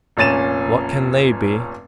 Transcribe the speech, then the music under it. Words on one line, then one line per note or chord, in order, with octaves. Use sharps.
What kin they be?
F1 A#2 C#4 A6 D#7 E7